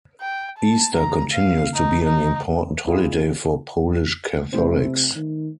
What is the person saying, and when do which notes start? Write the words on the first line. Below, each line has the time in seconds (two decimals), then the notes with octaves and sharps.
Easter continues to be an important holiday for Polish Catholics.
0.21 G5
0.58 A5
0.95 A#5
1.32 F5
1.75 D#4
2.04 D#4
2.87 E4 F4 G#4
4.53 C3 A3 E4 C5
5.15 D#3